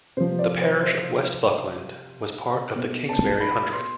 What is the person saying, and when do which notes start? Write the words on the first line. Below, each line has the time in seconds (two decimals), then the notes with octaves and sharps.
The parish of West Buckland was part of the Kingsbury Hundred.
0.17 C3 F3 C5
0.39 D5
0.61 C5
0.82 C5
2.76 B2
3.09 A5
3.40 B5
3.73 C6